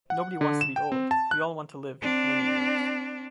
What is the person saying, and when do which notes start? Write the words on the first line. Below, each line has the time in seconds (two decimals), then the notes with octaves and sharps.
Nobody wants to be old, we all want to live many years.
0.10 F#5
0.41 D3
0.61 E7
0.76 G5
0.92 C4
1.11 A5
1.31 F#6
2.01 C4 D4